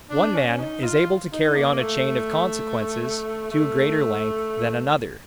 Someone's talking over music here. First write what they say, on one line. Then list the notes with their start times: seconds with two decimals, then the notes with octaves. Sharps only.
One man is able to carry on a chain of consequences to a greater length than another.
0.10 D4
0.35 C#4
0.59 D#4
0.83 F4
1.32 D#4
1.56 A#3
1.80 A3
3.51 A3